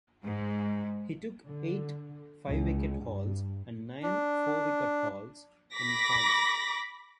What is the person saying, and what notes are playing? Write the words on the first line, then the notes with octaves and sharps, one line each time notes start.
He took eight five-wicket hauls and nine four-wicket hauls in the format.
G#2
D3
C#2
G2
D4
B5 D6 A#6 B6